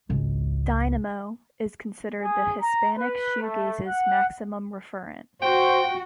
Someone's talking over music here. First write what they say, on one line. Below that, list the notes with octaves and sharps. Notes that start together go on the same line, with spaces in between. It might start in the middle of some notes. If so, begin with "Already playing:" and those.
"Dynamo" is considered the Hispanic shoegaze's maximum referent.
G#1 C#2
G#4
A#5
B4
A3
F#5
F#4 C5 G5